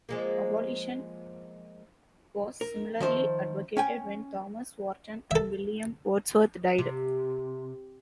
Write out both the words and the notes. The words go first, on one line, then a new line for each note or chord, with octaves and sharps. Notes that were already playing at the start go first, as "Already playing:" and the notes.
Abolition was similarly advocated when Thomas Warton and William Wordsworth died.
F3 G#3 A#3
A#4
D#3 F3 C5 E5
C#4 G5 G#5
A4 E5
C3